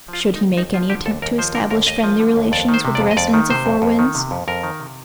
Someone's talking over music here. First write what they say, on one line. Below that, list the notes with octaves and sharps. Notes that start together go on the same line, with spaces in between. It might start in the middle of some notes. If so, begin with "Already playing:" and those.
Should he make any attempt to establish friendly relations with the residents of Four Winds?
F3 F4
D3
D#4
D#2
D#2 D#4
F3 F4
D3 G4
D#2 A4
D#2 A#4
F3 C5
D3 A#4
D#2 A#4
D#2 D#5
F3
D3
D#2
F2 D5
D#3
C5
C3
D5
F2
D#5
F2 D5
D#3
C3 C5
F2
F2
D#3
C3
F2
F2 A#4
D#3
C3